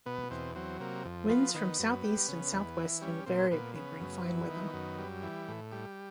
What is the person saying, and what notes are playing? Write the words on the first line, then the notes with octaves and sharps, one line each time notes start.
Winds from southeast and southwest invariably bring fine weather.
B2 B3
E2 C4
F#3 C4
C3 A#3
F2
F3 B3
D#3 B3
F#2
G3
C#3
E2
E3
G3 C#4
A#2 C4
A#2 B3
C#3 B3
F#2
E3
D#3
F#2
G3
E3
A2
G3